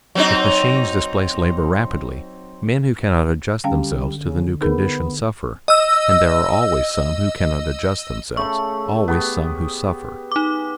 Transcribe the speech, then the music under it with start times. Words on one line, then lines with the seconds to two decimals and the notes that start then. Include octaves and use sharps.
If machines displace labor rapidly, men who cannot adjust themselves to the new conditions suffer, and there are always some who cannot adjust themselves, always some who suffer.
0.15 F#3 C4 D#4
3.64 D3 G3 C#4 F5 G5
4.21 C#3
4.61 B3 D#4 G#4 A#4
5.68 D#5 E6
8.37 C#3 A3 A4 C#6
9.08 B3 G4 G#4
10.32 D#4 D6